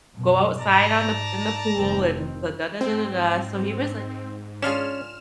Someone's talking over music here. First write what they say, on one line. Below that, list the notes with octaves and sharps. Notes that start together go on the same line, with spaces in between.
go outside on the in the pool and the da da da da da," so he was, like,
F#2 B2
G#2 D5 A5 A#5
F1 D#3 C4
G#2 C4
C#4 D4 F4 G#4 F6 E7